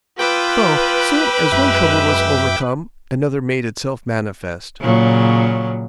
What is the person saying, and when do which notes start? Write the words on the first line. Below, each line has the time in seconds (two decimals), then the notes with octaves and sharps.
So soon as one trouble was overcome another made itself manifest.
0.19 F4 B4 G5 D6 E6
1.52 F#2 G#3 E5
4.81 A#2 C#3 F#3